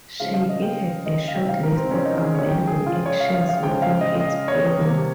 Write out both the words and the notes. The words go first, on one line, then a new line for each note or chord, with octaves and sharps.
Shakey had a short list of available actions within its planner.
C#3 F3 G#3 F5
F5
D#5
G5
D#5
F5
C3 D#3 G#3 G5
F5
A#4
C4
C#4
D#4
G#4
C#5
C#3 G#3 G5
G#4
F4
C#5
F5
F5
F5
C#3 F3 G#3 G5
F5
D#5
D#5
C#5
C3 G3 A#3